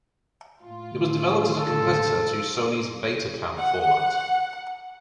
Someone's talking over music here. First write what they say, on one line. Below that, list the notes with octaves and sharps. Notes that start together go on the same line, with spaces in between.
It was developed as a competitor to Sony's Betacam format.
A2 F4
A4
F#5